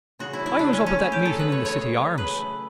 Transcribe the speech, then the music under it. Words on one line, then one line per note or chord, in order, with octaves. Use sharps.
I was up at that meeting in the City Arms.
C#3 F#4
E4
F#3
E4
C#3 D4
C#4
A3
C#4
C#3 E4
G4
F#3
A4
C#3 B4
C#5
A3
C#5
C#3
F#3
C#3 B4
A3